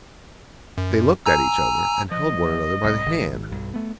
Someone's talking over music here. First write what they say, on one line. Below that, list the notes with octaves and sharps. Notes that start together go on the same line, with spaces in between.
They looked at each other and held one another by the hand.
F#2
G#5 A#5 E6
F3 D#5
C2
G#1
B1 G2
A3 B3